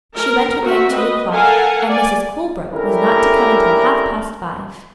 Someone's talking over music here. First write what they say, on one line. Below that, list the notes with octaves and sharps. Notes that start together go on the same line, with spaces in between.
She went away at two o'clock, and Mrs. Colebrook was not to come until half-past five.
A#4
C4 F#4 E5
B4 D#5
A4 A#4 F5 F#5 G#5 A5
D5 G#5
C#4 D4 E4 G4 A4 A#4